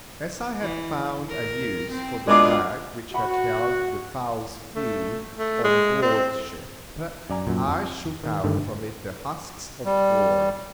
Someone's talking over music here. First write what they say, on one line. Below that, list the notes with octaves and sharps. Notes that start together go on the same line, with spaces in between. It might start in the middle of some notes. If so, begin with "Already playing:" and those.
As I had found a use for the bag which had held the fowl's food on board ship, I shook out from it the husks of corn.
E3
A#4
C4
B2 G#3 A#3 D4 F4 G#4 D6
F#4 F#5 B5
A3
A3
G#3
C4
F#2 D5 G#5 A#5
F#2 A#2
F2
D#3
G2 D3 D#3 A3
G3